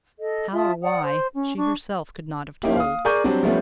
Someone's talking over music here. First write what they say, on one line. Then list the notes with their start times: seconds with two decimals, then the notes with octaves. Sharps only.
How or why, she herself could not have told.
0.20 A4 D#5
0.53 F4 E5 A5 D#6
0.82 D5 F#5 G5 D#6
1.02 C5
1.35 C#4
1.58 D4 C#6
2.63 A#3 C#4 D#4 E4 G4
2.76 F5 D#6
3.05 G#4 A#4 D5 C#6 G6 D#7
3.24 F#3 G3 C4 D4
3.43 F3 G3 A3 B3 C#4